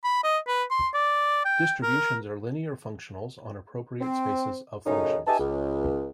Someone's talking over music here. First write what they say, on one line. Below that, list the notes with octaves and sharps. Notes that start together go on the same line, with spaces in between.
Distributions are linear functionals on appropriate spaces of functions.
B5
D#5
B4
C6
D5
G5
A#4
C4
F#2 A2 C#3 C#4 D#4
D#4 G4 B4 E5 G#5 A5
C#2